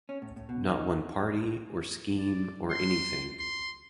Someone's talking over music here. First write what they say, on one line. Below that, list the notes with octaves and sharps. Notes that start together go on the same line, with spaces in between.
Not one party, or scheme, or anything.
C#4
A2
A2
B2
D#4
D5
C6
C6